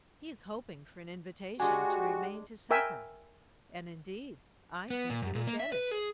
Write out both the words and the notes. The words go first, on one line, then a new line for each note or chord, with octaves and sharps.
He is hoping for an invitation to remain to supper, and indeed I think he will get it.
G#3 D4 F#4 G4 G#5
A#4 E5 G5 G#5
B3
A#2
F#2
A#2
A#3
E5
B4
G#4